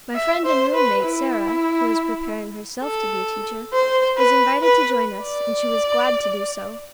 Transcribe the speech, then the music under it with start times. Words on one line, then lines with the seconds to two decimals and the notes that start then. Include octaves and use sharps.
My friend and room-mate Sarah, who was preparing herself to be a teacher, was invited to join us, and she was glad to do so.
0.15 E5
0.45 C5
0.75 B4
1.04 E4
2.83 A4
3.73 C5
4.18 B4
4.63 B4
5.23 D5